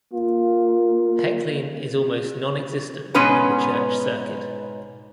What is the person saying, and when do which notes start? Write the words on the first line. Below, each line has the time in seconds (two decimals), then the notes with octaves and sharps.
Heckling is almost nonexistent in the church circuit.
0.13 A#3 F4
3.14 G#2 B2 B3 C#4 B4 G#5